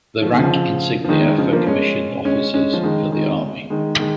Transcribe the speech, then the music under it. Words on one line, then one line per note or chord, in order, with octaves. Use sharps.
The rank insignia for commissioned officers for the army.
F3
D#3
C#3 F3
F3
D#3 G#3
G#3
C#3 F3
F3 A#3
G#3 C#4
G#3 C#4
G#3 C#4
F3
D#3 G#3
D#3 G#3
D#3 G#3
D#3 G#3